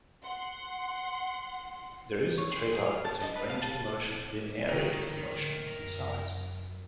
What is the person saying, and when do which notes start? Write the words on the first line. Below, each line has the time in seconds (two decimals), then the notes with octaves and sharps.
There is a tradeoff between range of motion, linearity of motion, and size.
0.23 F#5 C6
2.38 C#5
2.52 C6
2.73 G#4
2.86 F6
3.04 A5
3.22 D#4
3.36 B4
3.49 F5
3.62 A5
4.69 D3 A#4 G5
5.30 A2 D3
5.76 F#2